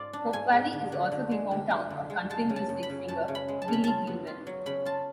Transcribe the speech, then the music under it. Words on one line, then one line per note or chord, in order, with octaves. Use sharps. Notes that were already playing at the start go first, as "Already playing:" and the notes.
Hope Valley is also the hometown of country music singer Billy Gilman.
Already playing: G#2 F4 D5
D4
G#2 G#5
G#2
D3
D3
D3
G#3
D3
G#3
D3
G#3
G#3 A5
C#3
A5
F#2
B5
C#3
F#2 A5
C#3
B5
G#3
A5
C#3 B5
F4 A5
B3
F4
F#3
C#3 B5
F4 A5